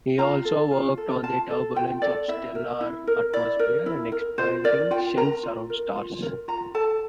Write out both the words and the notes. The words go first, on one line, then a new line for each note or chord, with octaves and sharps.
He also worked on the turbulence of stellar atmosphere and expanding shells around stars.
F4 A#5
A4
F4
A4
F4 A5
A4
F4 G5
A4 D5
E4 E5
A#4
E4
A#4
E4 D5
A#4
E4
A#4
F4 C5
A#4 D5
F4 G5
A#4 A#5
F4
A#4
F4
A#4
F4 A#5
A4 A5